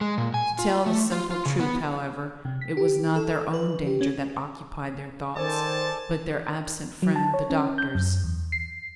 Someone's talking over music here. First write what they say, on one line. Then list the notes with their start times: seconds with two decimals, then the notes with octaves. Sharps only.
To tell the simple truth, however, it was not their own danger that occupied their thoughts, but their absent friend, the Doctor's.
0.01 G#3
0.18 A#2
0.34 G#5
0.59 F4
0.86 A3
1.12 F4
1.31 F4
1.46 C#3
1.60 B3
2.45 C3
2.61 B6
2.77 G4
3.16 A4
3.53 B4
3.87 G4
4.01 C#4
5.37 D#3 A4 C5 D5 G#5 A5
7.02 F#3
7.16 A5
7.34 C#5
7.50 C#4
7.78 G6
7.95 F#2
8.24 E2
8.52 C7